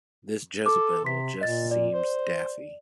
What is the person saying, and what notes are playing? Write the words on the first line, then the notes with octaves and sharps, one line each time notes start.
This Jezebel just seems daffy.
A4 D6
C3 C6 B6
A#2 D#5 A6
D5
C5